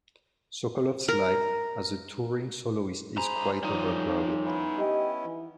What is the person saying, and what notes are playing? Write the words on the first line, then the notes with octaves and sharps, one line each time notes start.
Sokolov's life as a touring soloist is quite overcrowded.
A#4
C#2 G#4 C5 A#5 B5
D#3 F3 G3 D#4 F4 C#5 D5
D#2
B3 C#4 E4
G4 D#5
E3